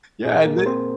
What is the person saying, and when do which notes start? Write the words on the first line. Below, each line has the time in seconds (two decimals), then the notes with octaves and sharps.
yeah and they
0.25 A#2 G#4
0.45 A#3 A#4
0.58 A#4
0.66 A#3 C4 C5